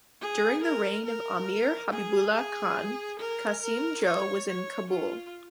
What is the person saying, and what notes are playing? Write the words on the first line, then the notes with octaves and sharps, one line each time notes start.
During the reign of Amir Habibullah Khan, Qasim Jo was in Kabul.
G#4
A#4
A#4
G#4
G#4
A#4
A#4
C#5
C#5
F4